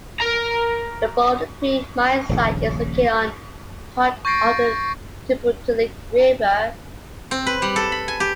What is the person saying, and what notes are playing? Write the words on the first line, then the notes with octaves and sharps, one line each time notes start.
The Boulder Creek mine site is located on part of the Tubutulik River.
A#4 A#5
D#1 A#1 C#3
C#6 G6 A6 A#6 C7 D7
C4
B4
G3
A4
B5
G#5
G4